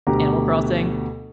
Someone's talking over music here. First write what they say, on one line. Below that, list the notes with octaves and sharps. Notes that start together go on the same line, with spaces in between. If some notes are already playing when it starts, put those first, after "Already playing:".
Animal Crossing?
D2 B2 G4 A#5